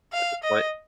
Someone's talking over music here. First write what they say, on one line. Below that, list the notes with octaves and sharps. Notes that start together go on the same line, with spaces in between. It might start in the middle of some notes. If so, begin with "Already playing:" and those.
at this point?
F5
D#5